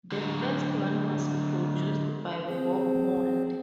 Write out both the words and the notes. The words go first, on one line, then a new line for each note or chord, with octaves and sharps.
The first one was produced by Bob Mould.
D3 F#3
C4 G#4 C5